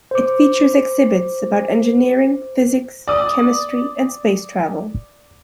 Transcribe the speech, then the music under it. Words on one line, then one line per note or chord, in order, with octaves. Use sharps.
It features exhibits about engineering, physics, chemistry, and space travel.
C5 D6
D5 D#6